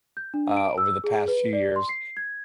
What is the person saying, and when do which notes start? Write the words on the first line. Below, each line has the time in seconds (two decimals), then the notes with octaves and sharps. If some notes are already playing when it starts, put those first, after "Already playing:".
uh, over the past few years,
0.17 G6
0.34 D4
0.57 D7
0.78 E6
1.04 G#4
1.28 B4
1.53 D5
1.76 C6
1.89 C7
2.17 G#6